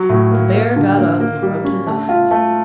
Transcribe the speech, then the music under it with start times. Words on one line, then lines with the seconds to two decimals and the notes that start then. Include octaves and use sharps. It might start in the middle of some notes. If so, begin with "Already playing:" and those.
But the Bear got up and rubbed his eyes.
Already playing: F#3
0.09 A2
0.31 A#3
0.54 A#3
0.76 D3
0.98 A#3
1.20 A#3
1.42 G3
1.64 C#4
1.87 A3
2.09 F4
2.31 A3